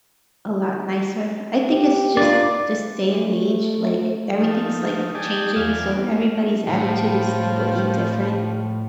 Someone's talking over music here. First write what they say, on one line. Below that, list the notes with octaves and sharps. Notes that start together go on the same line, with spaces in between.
a lot nicer. I think it's just just day and age, like, everything's, like, changing, so everybody's attitude is completely different,
G4
D4 D#4 F4 D5
A3
F3 A3 D#4
D#4 G4 D5 D#5 G#5 A5
E2 F#3 F4 D5 F5 G#5
A2 F3